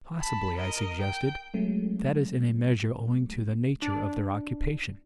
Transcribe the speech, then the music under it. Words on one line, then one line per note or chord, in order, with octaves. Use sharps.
"Possibly," I suggested, "that is in a measure owing to the nature of their occupation."
A5 B5
A#4 D#5
G5
F#3 G#3 A3 C#4
D4